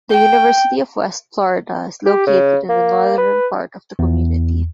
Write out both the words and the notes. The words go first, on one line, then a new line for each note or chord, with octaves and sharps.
The University of West Florida is located in the northern part of the community.
G5
G4
C#3
A#3
B4
E2